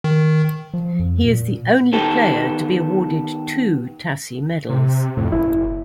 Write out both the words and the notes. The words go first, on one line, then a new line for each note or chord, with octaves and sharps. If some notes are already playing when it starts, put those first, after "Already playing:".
He is the only player to be awarded two Tassie Medals.
D#3
F3
F2
A#2
D#3 B3 G4 A4
C3
F2 A2
F#1 E4